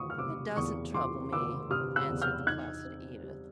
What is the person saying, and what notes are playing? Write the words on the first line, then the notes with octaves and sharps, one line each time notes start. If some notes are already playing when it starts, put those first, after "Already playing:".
"It doesn't trouble me," answered the placid Edith.
Already playing: E2 D#3 C#6 D#6
F6
C3 D6 E6
E2 C#6 D#6
E2 C6 D6
D#3 D6 E6
C3 D#6 F6
E6 F#6
E2
F6 G6
D#4 F#6 G#6
C4
G3